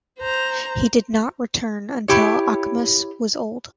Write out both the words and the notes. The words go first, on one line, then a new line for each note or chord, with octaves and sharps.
He did not return until Ochimus was old.
C5 A#5
E4 G4 C#5